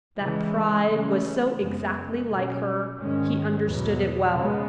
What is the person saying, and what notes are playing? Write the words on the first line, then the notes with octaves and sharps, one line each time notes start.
That pride was so exactly like her, he understood it well.
C#3 E3 G#3
C#3 E3 A3 C#4
F#2 C#3 G#3 B3
B2 F#3 C#4
G#2 D#3 G#3 C#4
E2 B2 F#3 B3
C#3 G#3 B3